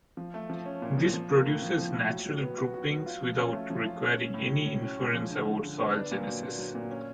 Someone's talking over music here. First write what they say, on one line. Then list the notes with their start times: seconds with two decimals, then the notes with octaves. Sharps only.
This produces natural groupings without requiring any inference about soil genesis.
0.17 F3
0.34 A3
0.50 F3
0.66 C#4
0.82 A#2
0.97 F3
1.14 F3
1.30 A#3
1.46 A2
1.62 F3
1.78 F3
1.94 A2
2.10 F#3
2.26 F#3
2.42 B3
2.58 F#4
2.74 F#4
2.90 F#3
3.06 F4
3.23 F3
3.38 C#4
3.55 A3
3.70 F3
3.86 F4
4.02 C#4
4.18 C#4
4.34 A2
4.51 F#3
4.67 C#4
4.83 C#4
4.99 G#3
5.14 F3
5.31 D3
5.46 D3
5.63 D3
5.79 B3
5.95 D4
6.11 A#2
6.27 F#3
6.43 A#2
6.58 F#3
6.75 A#2
6.91 C#4